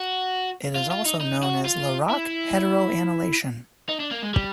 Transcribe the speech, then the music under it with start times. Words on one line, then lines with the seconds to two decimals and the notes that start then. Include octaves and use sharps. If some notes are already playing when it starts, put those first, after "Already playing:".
It is also known as Larock heteroannulation.
Already playing: F#4
0.75 F4
0.91 F4
1.05 D#4
1.20 D#4
1.43 F#4
1.65 F4
2.10 E4
3.89 D#4
4.00 D4
4.11 A#3
4.22 G#3
4.34 G3